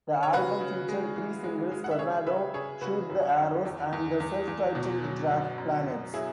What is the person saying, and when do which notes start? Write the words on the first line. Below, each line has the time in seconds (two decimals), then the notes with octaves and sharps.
The album featured three singles: "Tornado", "Shoot the Arrows", and the self-titled track "Planets".
0.23 C#5
0.33 C#3 F#4 B4
0.60 C#3
0.89 G#3
1.16 E3
1.44 G#3
1.72 G#3
1.84 F#5
1.91 E5
1.99 C#3 G#4 C#5
2.27 C#3 B4 E5
2.54 C#3 G#4 C#5
2.81 C#3 F#4 B4
3.10 F#2
3.37 F#2
3.65 E2
3.93 E2
4.20 E2
4.48 E2
4.75 B2
5.02 F#3
5.30 F#2
5.58 F#2
5.86 F#2
6.14 F#3 E4 G#4